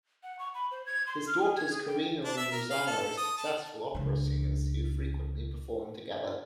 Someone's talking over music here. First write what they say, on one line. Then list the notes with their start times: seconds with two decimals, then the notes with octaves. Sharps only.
His daughters Karina and Ruzanna are successful opera singers who frequently perform together.
0.23 F#5
0.39 C#6
0.55 B5
0.71 C5
0.86 G#6
1.07 C6
1.27 F6
1.41 G#4
1.57 G#6
1.71 G#4
1.87 G5
2.24 D4
2.37 E5
2.52 A#4
2.70 F5
2.87 A4
3.17 D#6
3.37 A5
3.95 C#2 D4